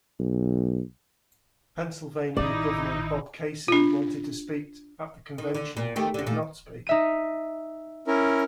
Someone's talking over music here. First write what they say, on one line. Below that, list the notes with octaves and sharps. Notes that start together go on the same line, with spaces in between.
Pennsylvania Governor Bob Casey wanted to speak at the convention, but did not speak.
B1
A1 D#3 D#4 E4 D5
D4 F4
D#3
D3
A#2
D#3 A3 G4
E2 D3
A#2 A3
D#4 E5 D#7
C#4 E4 A#4